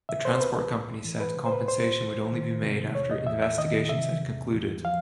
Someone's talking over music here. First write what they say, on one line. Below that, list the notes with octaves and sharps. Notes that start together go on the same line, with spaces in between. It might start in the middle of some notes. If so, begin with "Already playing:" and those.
The transport company said compensation would only be made after investigations had concluded.
C#3 E5
C5
C5
C#2 B4
C#2
E3
B4
C#3
C5
B4
C#2 C5
C#2
D#3
C3
E2 C#5
D#5
E2 E5
E5
D#3 D#5
C3 E5
E2
E2
F3 F5